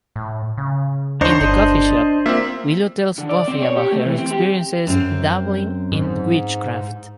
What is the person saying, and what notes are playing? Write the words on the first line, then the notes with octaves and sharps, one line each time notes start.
In the coffee shop, Willow tells Buffy about her experiences dabbling in witchcraft.
A2
C#3
D#2 D4 D#4 C5 C#5 C6
G1 D4 D#5
A#3 C4 F4 E5
D3
D5
C4
C#5
G4
A3
E3
C4
G4
F#2 C4
G#2